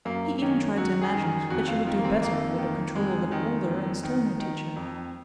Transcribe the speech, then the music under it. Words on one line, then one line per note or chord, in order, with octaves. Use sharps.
He even tried to imagine that she would do better under the control of an older and sterner teacher.
F#2 A#3
D#3 C#4
F#2 F#4
G#4
D#3
G#4
F2 F#4
F4
D#3 F4
A#3
C4
F2 A#3
D#3
F2 G#3
D#3
F2
D#3
D#3
F2